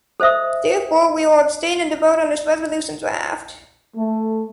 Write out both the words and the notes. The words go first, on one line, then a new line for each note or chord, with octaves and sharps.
Therefore, we will abstain in the vote on this resolution draft.
A4 C5 D#5 E5 D#6
A3